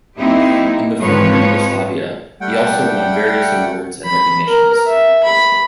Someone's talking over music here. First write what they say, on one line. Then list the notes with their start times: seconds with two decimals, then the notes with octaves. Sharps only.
In the former Yugoslavia he also won various awards and recognitions.
0.16 F#3 A#3 C4 D#4 E4 G4
0.99 G#2 F3 C4 B4 C#5
2.41 G3 A3 F#5 G5
4.04 B5
4.48 A#4
4.87 E5
5.24 B5